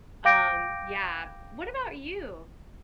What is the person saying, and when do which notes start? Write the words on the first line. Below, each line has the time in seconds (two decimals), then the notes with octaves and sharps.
Um, yeah. What about you?
0.25 F5 G5 D6 G6 A#6 D7